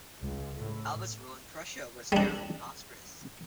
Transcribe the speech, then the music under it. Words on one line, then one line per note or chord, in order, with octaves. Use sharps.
Albert's rule in Prussia was fairly prosperous.
C#2
A2
G3 D4